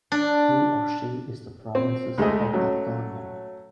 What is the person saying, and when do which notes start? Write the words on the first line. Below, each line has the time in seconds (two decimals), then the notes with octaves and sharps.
He or she is the province's head of government.
0.12 D4
1.75 C4
2.18 D2 G#3 A3 D#5
2.53 F#3 A3 C#4